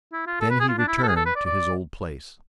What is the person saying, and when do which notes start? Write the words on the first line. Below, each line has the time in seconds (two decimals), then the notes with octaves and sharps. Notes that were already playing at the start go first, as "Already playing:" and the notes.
Then he returned to his old place.
0.12 E4
0.27 F4
0.40 A4
0.50 B4
0.60 G#4
0.69 F4
0.78 D4
0.88 E4
0.98 E4
1.03 A4
1.08 G#4
1.16 A4
1.26 B4
1.36 D5
1.46 D5